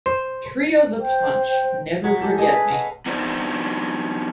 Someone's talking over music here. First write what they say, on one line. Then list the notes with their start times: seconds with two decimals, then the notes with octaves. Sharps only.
Trio The Punch - Never Forget Me...
0.06 C5
0.99 C5 G5
2.04 F#3 C#5 F#5 B5
2.21 G#3 G4 A4
2.38 G#4 A4 D#5
2.51 B4 F5 B5
2.70 C#5 D#5 F5 F#5
3.06 B3 D4 D#4 C5